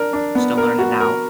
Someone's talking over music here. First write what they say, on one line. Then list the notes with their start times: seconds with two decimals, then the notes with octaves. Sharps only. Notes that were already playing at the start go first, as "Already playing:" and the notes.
Still learn it now.
Already playing: D4 A#4
0.13 D4
0.35 B3
0.57 A#4
0.79 F#4
1.00 A#4